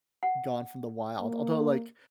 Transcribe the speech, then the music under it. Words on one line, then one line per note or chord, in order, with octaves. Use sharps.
gone from the wild, although, like,
F#5
A#3